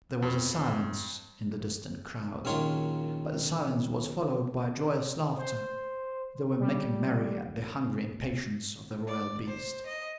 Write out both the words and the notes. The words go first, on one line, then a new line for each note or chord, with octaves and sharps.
There was a silence in the distant crowd; but the silence was followed by joyous laughter--they were making merry at the hungry impatience of the royal beast.
F2
A#1 F#2 D#3 F4 C#5 C6
C5
G3
D5
C5
D#5